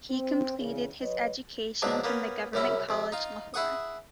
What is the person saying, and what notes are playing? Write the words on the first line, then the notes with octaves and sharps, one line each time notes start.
He completed his education from the Government College Lahore.
C4
E2 C#3
F#3 B4 D#5
G#2 B2 F3 F#3 G#3 D4
A#3 B3 C#4
C2 F#2 C#3 C#4 E4
F2 C3
D#4 F4
E4 G#4 F#5 C#6 D#6